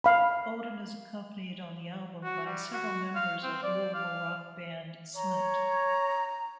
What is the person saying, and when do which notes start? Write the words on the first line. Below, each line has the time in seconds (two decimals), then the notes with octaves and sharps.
Oldham is accompanied on the album by several members of Louisville rock band Slint.
0.04 F5 B5
2.23 F#4
2.46 G3
2.73 F#4
3.15 F5
3.43 C4
3.63 D5
3.94 F5
5.16 C#5 A#5